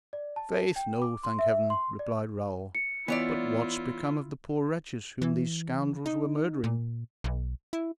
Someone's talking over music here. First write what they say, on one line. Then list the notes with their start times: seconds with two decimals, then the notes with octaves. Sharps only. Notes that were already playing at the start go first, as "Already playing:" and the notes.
"Faith, no, thank Heaven!" replied Raoul; "but what has become of the poor wretches whom these scoundrels were murdering?"
0.13 D5
0.36 A5
0.76 G5
1.02 D6
1.24 C6
1.39 E5
1.70 C6
1.99 D5
2.75 C#7
3.08 E3 B3 E4 F4 C#5 D5
5.22 E3
6.06 D#4
6.64 A#2
7.24 B1
7.73 E4